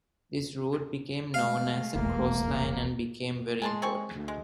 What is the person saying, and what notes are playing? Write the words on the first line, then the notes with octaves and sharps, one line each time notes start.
This route became known as the "Crossline" and became very important.
G#3 A3 F5
F1 B1 E2 A#3
G#3 G#5 A5 C6
C4 G#5 C#6
D2
G#3